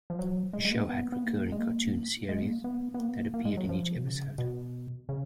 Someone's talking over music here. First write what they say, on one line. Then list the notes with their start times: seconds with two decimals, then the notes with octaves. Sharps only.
The show had recurring cartoon series that appeared in each episode.
0.10 F3
0.19 F#3
0.53 G#3
0.65 G#3
0.71 A#3
0.89 B3
1.12 B3
1.24 A#3
1.52 G#3
1.59 A#3
2.29 G#3
2.42 B3
2.47 A#3
2.64 B3
2.94 B3
2.99 A#3
3.09 B3
3.16 A#3
3.34 A#3
3.45 G#3
3.57 F#3
3.69 F3
3.96 B2
4.04 C#3
4.38 B2
5.09 C#3